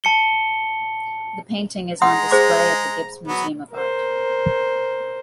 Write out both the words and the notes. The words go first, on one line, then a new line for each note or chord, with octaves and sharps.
The painting is on display at the Gibbes Museum of Art.
A5 C#7 G7
G#3 F#5 A#5 C6 D#6
G#4 C5 D6
F#3 B3
A#4 C5